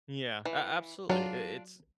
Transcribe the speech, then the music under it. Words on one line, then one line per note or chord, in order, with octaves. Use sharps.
Yeah, a absolutely, i it's,
E3
F#3 D4 F4